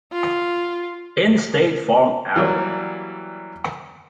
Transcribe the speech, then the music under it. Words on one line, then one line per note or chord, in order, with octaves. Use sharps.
In State Farm Auto.
F4
E3 F#3 G3 A#3